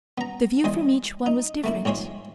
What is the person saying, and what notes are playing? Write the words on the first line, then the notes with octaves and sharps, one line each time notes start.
The view from each one was different.
B3 A#5
E2 D#5 G#5 C6
D#4
A3 A#3 E4
A#1 G#2 C#5 G#5 C6